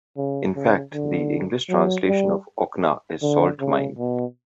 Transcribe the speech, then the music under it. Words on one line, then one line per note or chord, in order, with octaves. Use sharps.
In fact the English translation of Ocna is salt mine.
C#3
C#3
D3
F#3
G3
D3
C#3
B2